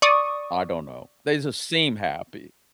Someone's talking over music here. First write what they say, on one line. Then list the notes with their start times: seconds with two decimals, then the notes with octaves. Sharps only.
I don't know, they just seem happy.
0.02 D5 C#6 D#6